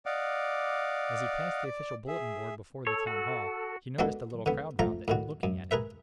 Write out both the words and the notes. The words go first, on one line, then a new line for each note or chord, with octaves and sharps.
As he passed the official bulletin-board before the town hall, he noticed a little crowd round it, looking at it.
D5 D#5 F5 F#5 D6
G#4 E5
A4 C#5
F#4
G#3 A#3 B3 D4 F#4 A4
D3 B3
F3 A3 A#5
A2 D#3 F#4
F#2
G#4 A#4 B4 E5